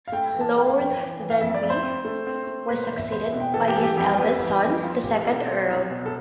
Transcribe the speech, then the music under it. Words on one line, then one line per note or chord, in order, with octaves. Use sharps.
Lord Denbigh was succeeded by his eldest son, the second Earl.
F5
A3 G5
G5
E3
A5
A3 G5
F5
F2 G5
E3
E3
F5
F2 E5
D5
F2
C5
C4
A3
C4
A3
B2 B4
C5
E2
E5
E2 C5
E5
B2
G5
E3 A4
G4
E3 A4
G4
F2 G4
B3
E3
F2
F2 F4
E3 G4
B2 A4
C4
C2
B2
A4